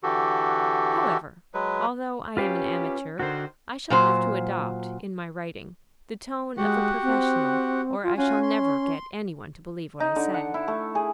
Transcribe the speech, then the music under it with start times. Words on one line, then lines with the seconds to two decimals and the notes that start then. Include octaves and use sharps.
However, although I am an amateur, I shall have to adopt, in my writing, the tone of a professional, or I shall never get any one to believe what I say.
0.03 D3 E3 F#4 G4 A4
1.54 F#3 G#3 B4
2.37 C3 C#4 F4 G4 B4 F5
3.19 D3 D#3 F#4 C5
3.90 A#2 F#3 C5
6.57 G#3 F#4 G4 F#5
7.03 C4
8.03 F4
8.17 C#4 F4 F#4 G#5
8.43 C6
10.00 D#4
10.16 D3
10.34 F#5
10.54 E4
10.68 A3
10.95 G#4